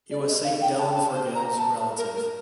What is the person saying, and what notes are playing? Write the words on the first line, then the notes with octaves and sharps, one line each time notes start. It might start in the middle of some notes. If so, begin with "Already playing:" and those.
He was St. Dallan Forgaill’s relative.
D5
D#5
F5
G5
A5
A5
C5
A#5
A5
A#4
A#4